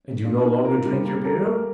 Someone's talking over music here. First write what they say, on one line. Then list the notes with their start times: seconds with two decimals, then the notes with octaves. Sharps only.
"And you no longer drink your beer?"
0.25 D4 F4
0.45 D#4 A#4
0.65 F4 A#4
0.85 G3
0.93 C5
1.05 A#3 A#4
1.25 A4 A#4
1.45 A#3